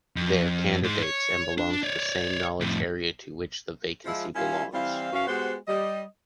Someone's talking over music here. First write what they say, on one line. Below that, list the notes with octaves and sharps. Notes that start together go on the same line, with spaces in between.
They’re candidates and belong to the same knowledge area to which the vacancy belongs.
F2
G#2 G#3
C#5
D4
C#5 D5
F2 A2
F3 G#3 E4
G3 C#4 E4 F4 A#4 F5
E3 G3 C4 E4 F5
F#2 E3 C#4 F#4 B4 F5
G#3 B3 F#4 G4 C5
G3 D#5